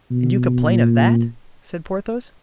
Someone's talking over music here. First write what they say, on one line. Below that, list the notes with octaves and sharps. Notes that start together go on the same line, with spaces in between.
"And you complain of that!" said Porthos.
B2
A#2